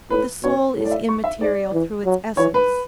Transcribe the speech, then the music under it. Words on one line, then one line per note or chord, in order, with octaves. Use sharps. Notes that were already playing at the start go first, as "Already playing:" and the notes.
But the soul is immaterial through its essence.
A2 B4
B2 C#5
A2
D5
E5
C#6
E5
G#2 D5
E3
F#3
E3 C#5
B4